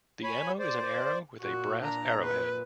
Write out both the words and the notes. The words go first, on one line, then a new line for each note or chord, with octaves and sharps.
The ammo is an arrow with a brass arrowhead.
C#5 G#5 B5
C5 D5
A#2 F#4
D4 A#5
B4